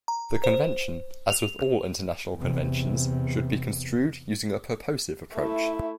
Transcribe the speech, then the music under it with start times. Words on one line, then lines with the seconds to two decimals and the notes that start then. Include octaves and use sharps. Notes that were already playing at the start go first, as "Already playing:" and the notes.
The Convention, as with all international conventions, should be construed using a purposive approach.
0.08 A#5
0.44 C5
1.30 F7
2.35 E2 C3
5.34 A3 E4